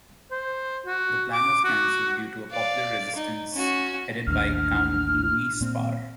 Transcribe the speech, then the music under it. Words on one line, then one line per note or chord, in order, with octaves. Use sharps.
The plan was cancelled due to a popular resistance headed by Count Louis Sparre.
C5
F#4
D6
F#4
D5 F5
D#4
C#4 F#4
A1 D#2 A2 D4 F6
A#2 C4